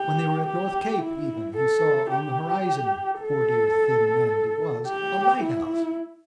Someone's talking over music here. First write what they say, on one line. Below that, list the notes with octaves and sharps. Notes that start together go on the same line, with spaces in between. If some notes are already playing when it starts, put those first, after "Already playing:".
When they were at North Cape, even, he saw on the horizon, poor dear thin man that he was, a lighthouse.
Already playing: G4
G4
E4
A4
G4
A4
G4
E4